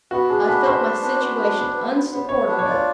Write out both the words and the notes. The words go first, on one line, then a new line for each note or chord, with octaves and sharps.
I felt my situation unsupportable.
B3 F#4
D4 G#4
B3 B4
D4 C5
B3
D4
B3
D4
B3
B3
B3
B3
B3 C#5
D4
C#5
F4 D5